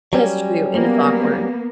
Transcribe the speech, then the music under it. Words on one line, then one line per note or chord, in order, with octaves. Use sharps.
That's true, it is awkward.
F#3 G3 C#4
A#3 B3